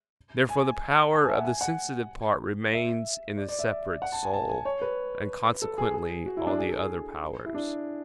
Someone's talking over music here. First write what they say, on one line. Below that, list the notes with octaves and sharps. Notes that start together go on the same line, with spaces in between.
Therefore the power of the sensitive part remains in the separate soul; and consequently all the other powers.
G#5
A5
G#5
E5
F#5
G#5
F#5
E5
D5
D5
E5
F#5
A5
G#5
A5
G#5
C#5
B4
A4
G#4
G#4
F#4
E4
D4
G#4
A4
G#4
E4
D4